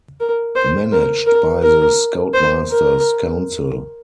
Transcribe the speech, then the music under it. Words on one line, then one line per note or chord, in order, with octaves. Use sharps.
Managed by the Scoutmasters' Council.
A#4
C5
A#4
A#4
A#4
C5
A#4